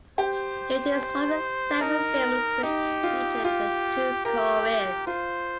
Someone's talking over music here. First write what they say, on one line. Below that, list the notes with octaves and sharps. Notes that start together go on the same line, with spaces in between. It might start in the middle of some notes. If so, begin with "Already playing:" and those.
It is one of seven films which featured The Two Coreys.
G4 C5
D#4 A#4
D#4 G4
F4
F4 G4
G4 A#4
F4 C5